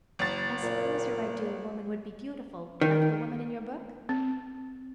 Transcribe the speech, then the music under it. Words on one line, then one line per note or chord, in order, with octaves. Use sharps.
"I suppose your ideal woman would be beautiful, like the woman in your book?"
F#1 A6
A#2
D#3
C4